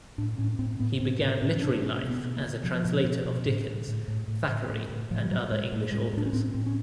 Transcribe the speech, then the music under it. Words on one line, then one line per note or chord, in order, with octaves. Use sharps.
He began literary life as a translator of Dickens, Thackeray, and other English authors.
A2 D4
A2 C#4
A2 C4
A2 B3
A2 C4
A2 C#4
A2 C#4
A2 D4
D4
B2 C#4
A#3
B2
B3
B2
A#3
B2
B2 F3
B2
B2
B2
A2
A2
A2
A2
A2
A2
A2
A2
A2 F3
G3
A2 F#3
A2 G#3
A2 A3
A2 G#3
A2 D4
C#4
A2 C4
A2 C4
C#4